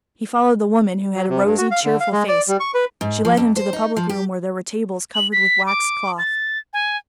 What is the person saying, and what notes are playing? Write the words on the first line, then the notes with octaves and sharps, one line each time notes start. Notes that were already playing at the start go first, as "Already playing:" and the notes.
He followed the woman, who had a rosy, cheerful face; she led him to the public room where there were tables covered with waxed cloth.
F#3
C3
G2
F#4
F5
D3
F5
G#3
D5
G3
C#6
B4
G#2
F3
F2
C5
D#4
F3
G4
F#7
B6
D6
A6
G#5